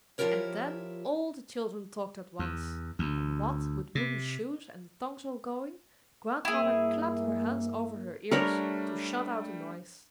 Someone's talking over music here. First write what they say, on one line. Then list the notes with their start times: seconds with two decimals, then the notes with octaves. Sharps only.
And then all the children talked at once; and what with wooden shoes and the tongues all going, Grandmother clapped her hands over her ears to shut out the noise.
0.18 F3 E4 F4 G4 A#4 C#5
2.39 E2
2.99 D2
3.95 C3
6.45 G2 A#3 E4 G#4
8.31 G3 A3 D4 A#4 C#5 B5